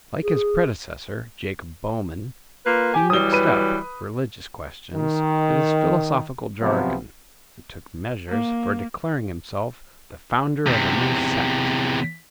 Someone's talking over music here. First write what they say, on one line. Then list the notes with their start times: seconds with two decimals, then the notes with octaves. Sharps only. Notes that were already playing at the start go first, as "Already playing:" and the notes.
Like his predecessor, Jacob Boehmen, he mixed up religious questions with his philosophical jargon, and took measures for declaring himself the founder of a new sect.
0.23 G#4
2.65 A#3 F4 B4
2.94 G4 G#5
3.10 E3 F#3 G3 D#6 G7
3.33 B4 D#7
4.93 D#3
6.61 C3 F3 F#3 B3 C4
8.29 A#3
10.67 E2 C3